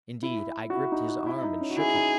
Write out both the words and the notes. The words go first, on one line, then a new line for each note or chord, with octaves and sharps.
Indeed I gripped his arm and shook him.
E4
F#4
E4
D#4
F#4
E4
D#4
C#4
F#4
E4 G#4
D#4